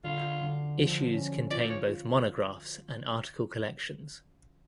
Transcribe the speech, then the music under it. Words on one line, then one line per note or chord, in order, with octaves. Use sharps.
Issues contain both monographs and article collections.
D3 F4
D3
F3
C#4
F4 D5
C#5
F4